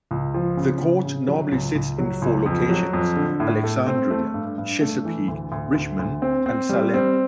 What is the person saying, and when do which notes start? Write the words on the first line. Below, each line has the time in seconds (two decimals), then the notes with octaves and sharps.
The Court normally sits in four locations: Alexandria, Chesapeake, Richmond and Salem.
0.11 C#2
0.34 F3
0.57 C#3
0.80 C#3
1.05 C#3
1.28 F#3
1.52 C#2
1.75 C#2
1.98 F#3
2.22 C#2
2.46 F2
2.69 F#3
2.93 F2
3.16 D3
3.40 A2
3.64 A3
3.87 C4
4.11 A3
4.34 G2
4.58 G2
4.81 A3
5.05 E3
5.28 D2
5.52 D2
5.75 D2
5.99 D2
6.22 C4
6.46 C4
6.69 G3
6.94 C4